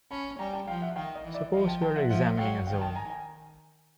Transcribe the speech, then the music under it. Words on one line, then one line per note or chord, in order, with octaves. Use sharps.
Suppose we are examining a zone.
C#4 A5 B5
G3 G#5 A#5
G5 A5
F3 F5 G5
E5 F#5
D#3 F5 G5
D#5
E3
D5 E5
F3 D#5 F5
G5 A5
G5 A5
E5 F#5
F3 E5 F#5
F#3 F5 G5
D#3 F5 G5
G5 A5
G#5 A#5
G#5 A#5